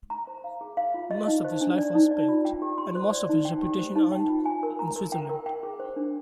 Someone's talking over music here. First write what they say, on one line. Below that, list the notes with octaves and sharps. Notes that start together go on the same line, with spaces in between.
Most of his life was spent, and most of his reputation earned, in Switzerland.
A#5
C5
F5
G#4
F5
F4
D#5
D#4
C5
D4
D5
D#4
D5
F4
G5
G4
C6
C5
D5
D#4
G5
G4
C5
D#4
G5
F4
G#5
A#4
A#5
A#4
G5
A#4
G5
G#4
C5
D4